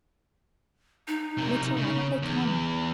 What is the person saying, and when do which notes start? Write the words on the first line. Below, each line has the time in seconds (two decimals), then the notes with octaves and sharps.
Mitya, why don't they come?
1.08 D#4
1.38 C3 A#4
1.77 C#3
2.23 E2